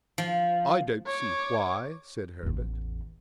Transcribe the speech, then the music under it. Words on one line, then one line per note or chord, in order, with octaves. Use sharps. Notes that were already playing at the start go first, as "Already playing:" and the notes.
"I don't see why," said Herbert.
F3
C#5 D6
A1 E2